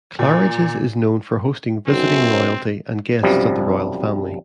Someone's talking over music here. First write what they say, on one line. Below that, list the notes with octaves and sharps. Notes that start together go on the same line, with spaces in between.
Claridge's is known for hosting visiting royalty and guests of the Royal Family.
A#2
B1 F#2 C4
B1 F#2 C3 F3 G3